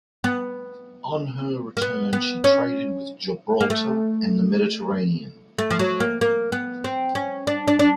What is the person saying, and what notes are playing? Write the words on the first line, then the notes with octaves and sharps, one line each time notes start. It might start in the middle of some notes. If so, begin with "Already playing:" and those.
On her return she traded with Gibraltar and the Mediterranean.
B3
A#3
B3
B3
C#4
A#3
A3
A3
F3
F#3
A#3
A#3
B3
C4
C#4
D4
D4
D4